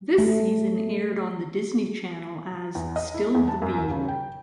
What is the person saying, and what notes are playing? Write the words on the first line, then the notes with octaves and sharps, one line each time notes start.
This season aired on The Disney Channel as "Still the Beaver".
A3
E2
D#5
E4
E2
A5
F#2
D#1
C#3
G5